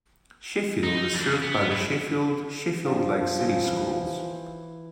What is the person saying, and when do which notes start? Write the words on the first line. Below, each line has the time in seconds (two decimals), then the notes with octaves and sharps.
Sheffield is served by the Sheffield-Sheffield Lake City Schools.
0.83 D#4
0.97 D#4
1.13 E3 D4
1.42 B3
1.70 A2
2.86 F3 D4
3.38 C#3 F#3 F4
3.63 E3